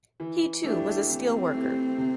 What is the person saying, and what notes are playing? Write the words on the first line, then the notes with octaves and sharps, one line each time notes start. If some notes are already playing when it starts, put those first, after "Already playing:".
He too, was a steel worker.
E3
A3 D4 E4 G4
E3 C4
A3 E4 G4
C3